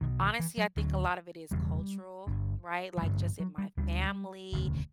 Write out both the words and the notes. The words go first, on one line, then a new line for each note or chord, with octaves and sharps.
honestly, I think a lot of it is cultural, right? Like, just in my family,
B1 B2 D#3
D#3
E3
F#3
D2 D3 F#3
E1 E2 C#3 G3
G1 G2 D3
F3
A1 G2 D3 F#3
F3
F#3
G3
D2 D3 G3
E1 D2 C#3